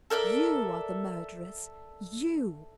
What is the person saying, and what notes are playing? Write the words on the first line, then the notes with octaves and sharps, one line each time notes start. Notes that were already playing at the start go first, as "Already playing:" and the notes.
You are the murderess--you!
A4 A#4 D5 E5